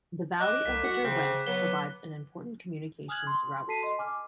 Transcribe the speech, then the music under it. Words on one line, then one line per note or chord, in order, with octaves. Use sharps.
The valley of the Derwent provides an important communications route.
D#5 D6 F#6
C2 B6
F#4 F#5
C#3 C4
F#3 B3 G7
G#5 D#6 F6 F#6 G#6 F#7
C6
F#4 A4 A5 B6 C7 D#7
D#5 C6
G#5 D6 F6